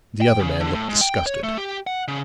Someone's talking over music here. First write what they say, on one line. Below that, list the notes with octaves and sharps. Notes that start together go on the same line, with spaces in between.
The other man looked disgusted.
G5
C#3
D3
A2
G#2
G5
C#5
A3
G4
F#5
C#3